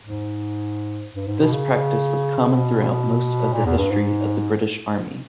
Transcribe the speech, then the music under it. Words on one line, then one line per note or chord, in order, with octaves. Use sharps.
This practice was common throughout most of the history of the British Army.
G#2
G2
G#2
B2
C#3
B2
A#2
E2
G2
G#2